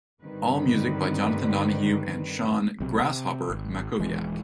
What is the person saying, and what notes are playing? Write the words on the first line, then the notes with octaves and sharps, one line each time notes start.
All music by Jonathan Donahue and Sean "Grasshopper" Mackowiak.
G2 D3 D#3 G3 C4 B4
B1 C3
C3
G#1
D#1 E3 G#3